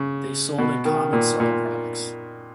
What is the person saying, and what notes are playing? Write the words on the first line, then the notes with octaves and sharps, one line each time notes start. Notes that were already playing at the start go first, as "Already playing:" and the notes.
They sold in common soil products.
Already playing: C#3
B2
D#3
A#2
A#2